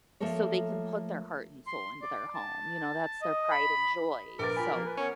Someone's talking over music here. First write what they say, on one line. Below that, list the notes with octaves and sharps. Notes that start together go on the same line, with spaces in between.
so they can put their heart and soul into their home, you know, that's their pride and joy, so
F3 A3 A#3 A4 A#4 C#5
C6
D5
A5
D#5
B5
A#1 A#4 B4 D6 A6
F4 G5 G#5 B5
F3 A#3
B4
B3 C#4 A#4 C#5